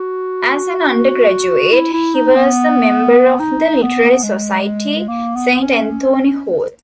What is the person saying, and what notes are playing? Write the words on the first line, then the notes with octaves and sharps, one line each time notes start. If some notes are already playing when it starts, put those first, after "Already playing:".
As an undergraduate he was a member of the literary society, Saint Anthony Hall.
Already playing: F#4
E4
E4
D#4
B3
D#4
B3
G#3
A#3
B3
C#4